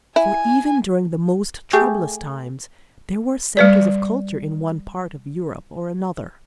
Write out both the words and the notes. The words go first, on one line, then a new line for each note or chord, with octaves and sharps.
For even during the most troublous times there were centers of culture in one part of Europe or another.
E4 G#5
A3 G4 G#4
G3 B4 D5